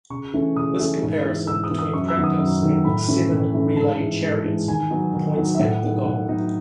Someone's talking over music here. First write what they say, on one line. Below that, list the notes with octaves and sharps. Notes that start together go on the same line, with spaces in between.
This comparison between practice and "seven relay chariots" points at the goal.
C#3 C#6
E3 A3 C#4
C#3 D#6
E3 A3 C#4
G#2
E3 B3
G#2 E6
D#6
E3 B3
D#6
F#2 C#6
E6
D#3 F#3 B3
D#6
F#2
D#3 F#3 B3
A2 B5
E3 A3 C#4
A2
E3 A3 C#4
G#2 A5
E3 G#3
G#2
E3 G#3
D#3 G#5
F#3 B3 D#4
D#3
F#3 B3 D#4
E5
A2 F#5
F#3 B3 D#4
A2 F#5
F#3 B3 D#4